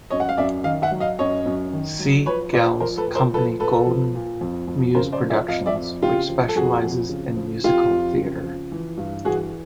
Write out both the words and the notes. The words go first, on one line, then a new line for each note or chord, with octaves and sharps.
C. Gell's company Golden Muse Productions, which specialises in musical theatre.
F#2 C#5 D#5
F#5
F5
F#2 D5 E5
D#3 D#5 F5
E5 F#5
F#3
D#5 F5
F#2 C#5 D#5
F#2
D#3
F#3
F3 B4 C#5
A#2 C5 D5
F3 A#4 C5
A4 B4
A#2
A#4 C5
F3 A4 B4
A#2 A4 B4
F3
A#2
F2
F2
C#3 A#4 C5
C5 D5
F3
D5 E5
F2 D#5 F5
D5 E5
F2
C#3 F4 G4
F3
A4
F2 F#4 G#4
F2
C#3
F3
F2 F4 G4
F2
C#3
F3
E3
G2
E3 F#4 G#4